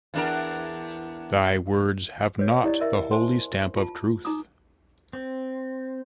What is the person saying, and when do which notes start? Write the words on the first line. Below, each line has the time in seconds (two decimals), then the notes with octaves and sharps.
Thy words have not the holy stamp of truth.
0.14 E2 D4 A#4
2.39 B4 C#5
2.64 E4 G4 D5 D#5
2.81 A#4 D#5 E5
3.11 C5 G#5 A5 C6
3.76 F4 A5
4.25 D#4 A#5 D6 D#6
5.13 C4